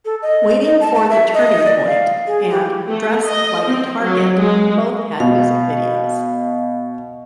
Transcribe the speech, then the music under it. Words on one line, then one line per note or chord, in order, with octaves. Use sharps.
"Waiting for the Turning Point" and "Dress Like a Target" both had music videos.
A4
D#5
D#5
A5
A5
E5
D#5
D5
F5
G#4
G4
A3
D#5
C4
F#3
G#3
B2 F5